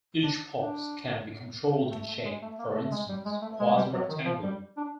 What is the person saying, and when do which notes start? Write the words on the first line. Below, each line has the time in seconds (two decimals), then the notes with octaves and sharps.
Each pulse can be controlled in shape, for instance, quasi-rectangular.
0.23 D4
0.57 D4
1.91 A3
2.08 A3
2.25 G#3
2.42 A3
2.59 A#3
2.75 A3
2.91 G#3
3.09 G3
3.25 G#3
3.42 A3
3.60 G#3
3.71 G#3
3.76 G3
3.93 F#3
4.09 D#3
4.25 F3
4.43 G3
4.77 D4